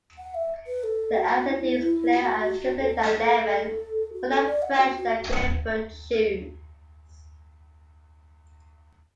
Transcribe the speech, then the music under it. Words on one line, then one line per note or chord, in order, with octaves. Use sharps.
The acidity is clearer and simpler than lemon, more fresh than grape verjuice.
F#5
E5
B4
A4
F#4
E4
F#4
A4
A4
F#4
A4
D5
F#5
F#4
F#4